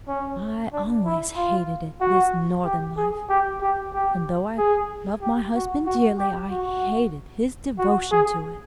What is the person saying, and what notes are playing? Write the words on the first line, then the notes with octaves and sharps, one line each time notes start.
I always hated it--this Northern life--and, though I loved my husband dearly, I hated his devotion to it.
C#4
D4
E4
F4
F#4
G4
G#4
G4
G4
G4
G#4
G4
F#4
F#4
G4
F#4
F#4
G#4